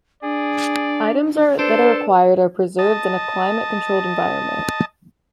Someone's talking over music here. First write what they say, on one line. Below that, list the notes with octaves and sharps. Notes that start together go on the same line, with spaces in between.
Items that are acquired are preserved in a climate-controlled environment.
D4 G#4 D5
D4 A4 B4 C5
D#5 A5